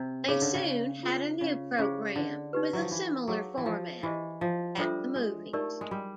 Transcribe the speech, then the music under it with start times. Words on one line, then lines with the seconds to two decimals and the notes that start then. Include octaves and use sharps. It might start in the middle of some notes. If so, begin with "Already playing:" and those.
They soon had a new program with a similar format, "At the Movies".
Already playing: C3
0.28 C#3 D#4 G#4 C#5
0.42 D3
0.54 C#3
1.03 F4 G#4 C5
1.41 C#3
1.78 C#3 C#4 E4 G#4 C5
2.16 D3
2.53 D#4 G4 B4
2.73 F#3
2.81 F3
2.91 E3
3.28 F#3 G#4 C#5 F5 A5 C#6
3.57 E3
3.66 F3
4.03 E3 E4 G4 C5 D#5
4.41 F3
4.78 G3 D4 F4 A4 C5 E5
5.16 G#3
5.53 A3 D#4 G4 A#4 D5
5.81 G#3
5.91 G3